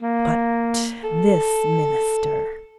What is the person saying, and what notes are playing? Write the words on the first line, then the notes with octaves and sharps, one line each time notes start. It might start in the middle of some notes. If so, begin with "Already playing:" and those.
But this minister.
A#3
A4